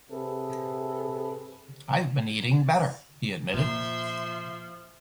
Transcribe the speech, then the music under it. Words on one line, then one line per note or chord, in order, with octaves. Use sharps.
"I've been eating better," he admitted.
C3 G#4 A4 B4
A#2 F3 E5 C6